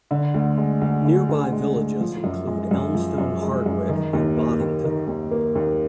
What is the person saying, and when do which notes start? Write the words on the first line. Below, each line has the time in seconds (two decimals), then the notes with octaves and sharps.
Nearby villages include Elmstone-Hardwicke and Boddington.
0.11 D3
0.34 D2
0.58 G#3
0.81 D2
1.05 D3
1.29 D2
1.52 G#3
1.76 D2
2.00 F3
2.24 F#2
2.47 G#3
2.71 F#2
2.95 F3
3.18 F#2
3.42 G#3
3.66 F#2
3.89 D#3
4.13 D#2
4.37 A#3
4.60 D#2
4.84 D#3
5.07 D#2
5.31 A#3
5.55 D#2